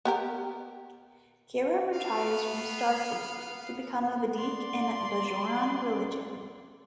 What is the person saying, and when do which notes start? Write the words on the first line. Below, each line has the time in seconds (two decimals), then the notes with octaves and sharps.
Kira retires from Starfleet to become a vedek in Bajoran religion.
0.05 B3 G4 A#4
1.93 B3 F5
4.35 D5 C6